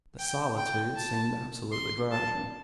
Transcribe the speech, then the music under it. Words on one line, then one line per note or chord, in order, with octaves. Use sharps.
The solitude seemed absolutely virgin.
G5
G5
A5
C6
A5